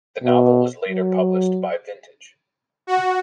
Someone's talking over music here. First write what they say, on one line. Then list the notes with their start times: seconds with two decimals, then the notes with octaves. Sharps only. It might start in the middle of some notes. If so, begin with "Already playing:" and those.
The novel was later published by Vintage.
0.24 B2
0.89 F#3
2.87 F#4